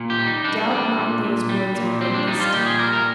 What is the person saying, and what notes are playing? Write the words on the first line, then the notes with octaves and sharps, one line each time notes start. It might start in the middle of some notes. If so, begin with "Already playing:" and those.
Doubt not those words are heard this day.
Already playing: A#2
G4
G3
D#4
G3 D4
G3
A#2
A#2
G3
A#2
G3 C4
D4
G3 D#4
F4
A#2 G4
G#4
G3 A#4
A#4